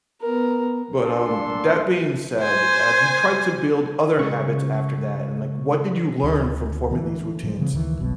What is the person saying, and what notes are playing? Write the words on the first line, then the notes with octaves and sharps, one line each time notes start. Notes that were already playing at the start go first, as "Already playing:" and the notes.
But, um, that being said, have you tried to build other habits after that? And, like, what did you learn from forming these routines?
B3 A#4
A#2 A#3 D4 A4 C6
C5 G#5
C#3 G#3 C#6
D2
D3 E3
A2 F3 G3
C#3 E3 C4
D2 D#3 E3
G1 C2 B2 F#3